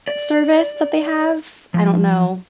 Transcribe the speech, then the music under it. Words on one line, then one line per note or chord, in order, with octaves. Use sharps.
service that they have? I don't know,
D5
F3